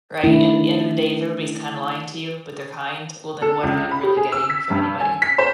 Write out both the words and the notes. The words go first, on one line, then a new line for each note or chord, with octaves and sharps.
right, and at the end of the day, if everybody's kinda lying to you, but they're kind, well, then what are you really getting from anybody?
D#3 A3 D4 E4
A4
C#2
B5
G4
G#4
E6
B6
G2
G#5
B6
C5